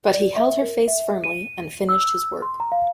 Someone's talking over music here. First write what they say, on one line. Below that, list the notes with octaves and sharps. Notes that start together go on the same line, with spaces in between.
But he held her face firmly and finished his work.
D5
E5
A#4
E5
D#7
E6
C6
A#5
F5